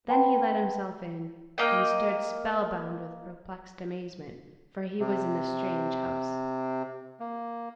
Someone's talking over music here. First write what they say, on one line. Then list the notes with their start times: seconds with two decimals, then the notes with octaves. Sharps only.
Then he let himself in, and stood spellbound with perplexed amazement,--for he was in a strange house.
0.08 B4 F#5 G5 A5 B5 C6
1.58 A#3 D#5 G5
5.00 C3
7.20 A#3